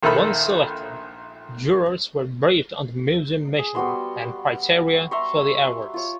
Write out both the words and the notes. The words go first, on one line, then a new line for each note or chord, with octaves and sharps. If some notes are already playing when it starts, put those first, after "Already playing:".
Once selected, jurors are briefed on the Museum mission and criteria for the Awards.
A#1 D#3 E4 A4 B5
G#4
G3 B3 F#4 C6
E5 A#5 C6 C#6
F4 C#5